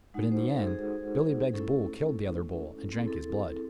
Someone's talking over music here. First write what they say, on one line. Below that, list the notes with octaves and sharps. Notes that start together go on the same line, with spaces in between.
But in the end, Billy Beg's bull killed the other bull, and drank his blood.
G#3 D#4 F#4 F#5
C5
A4
G#4
A3 C#4 E4 A4
C4 E4 G#4 A4
A4